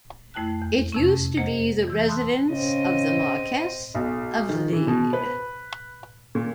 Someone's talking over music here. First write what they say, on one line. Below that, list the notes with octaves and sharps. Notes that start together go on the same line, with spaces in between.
It used to be the residence of the Marquess of Lede.
F2 A3 E4 G5 A5 F#6
E2
F2 C3 C#4
A#3 G#4 C5 D#5 F#5
E3 E6 G6
A5 B5 C6 D#6 E6 F#6
C#3 C4 D#5
B1
D#3
E3
B2
B4
A#2